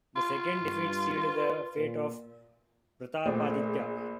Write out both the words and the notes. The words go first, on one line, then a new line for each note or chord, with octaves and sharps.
The second defeat sealed the fate of Pratapaditya.
F4
G2
B4
A#2
A#1 A#2 A3 C4 G#4 D5